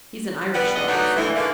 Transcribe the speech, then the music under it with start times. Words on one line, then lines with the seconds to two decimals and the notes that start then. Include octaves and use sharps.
"He's an Irishman himself."
0.54 G3 B3
0.76 E2 D3 D5 D#5 F#5
0.88 F#3 A3 B3 D4 D#4 F#4
1.16 D3 E3
1.35 G#2 D3 E3 A3 A#3